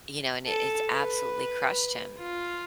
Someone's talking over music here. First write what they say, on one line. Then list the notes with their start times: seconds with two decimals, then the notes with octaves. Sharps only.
You know, and it it's absolutely crushed him
0.46 A4
0.89 B4
2.19 F4